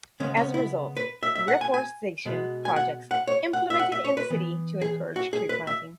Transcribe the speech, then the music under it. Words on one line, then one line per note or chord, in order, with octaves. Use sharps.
As a result, reforestation projects implemented in the city to encourage tree planting.
C#3 G#3 B3 C#4
C#4
E4
B4
E5
E5
F#5
G#5
G#5
B2 G#3 B3
G#5
F#5
F#5
C#5
F#5
E5
F#5
E5
C#5
B4
E3 B3
G#4
F#4
G#4
B4
E5